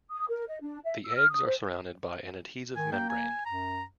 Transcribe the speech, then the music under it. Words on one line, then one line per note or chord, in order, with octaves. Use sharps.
The eggs are surrounded by an adhesive membrane.
D#6
A#4
D#5
D4
E5
E6
F6
D#6
C5
D#3 G#5
A#3 G5
G#5
F#2 A#5